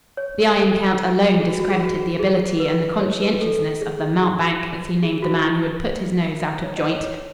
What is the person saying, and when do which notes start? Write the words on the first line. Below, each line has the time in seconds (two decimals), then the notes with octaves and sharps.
The Iron Count alone discredited the ability and the conscientiousness of the "mountebank," as he named the man who had put his nose out of joint.
0.17 C#5
0.59 A4
1.40 G#4
1.49 F#4
1.60 F#4
1.70 G#4
1.80 F#4
2.19 G#4
2.60 B4
3.01 C#5
3.21 B4
3.41 A4
3.81 G#4
4.02 G#4
4.21 G#4
5.03 G#4
5.22 F#4
5.43 E4
6.64 C#5
6.77 D#5
6.91 C#5
7.04 C#5